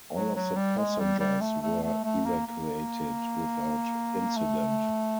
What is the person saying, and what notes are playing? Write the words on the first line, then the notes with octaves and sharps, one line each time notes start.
All of the passengers were evacuated without incident.
F#3
F#3
G3
G#3
G3
G3
A3
A3
A3
A3
A#3
A#3
A3